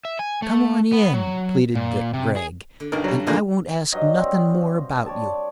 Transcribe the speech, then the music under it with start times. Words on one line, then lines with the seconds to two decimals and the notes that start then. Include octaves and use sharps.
"Come on in," pleaded Vic Gregg, "and I won't ask nothin' more about you."
0.05 E5
0.19 G#5
0.42 A3
0.93 B3
1.14 F#3
1.76 A#2
2.14 C3
2.36 G#4
2.80 D3
2.92 B1 G2 D#4 A#4 F5
3.04 F#3 G3
3.26 B2 D3 E3 G#3 A#3 F4
3.92 G2 F#3 D#5
4.18 C4
5.06 C#5 D5 A5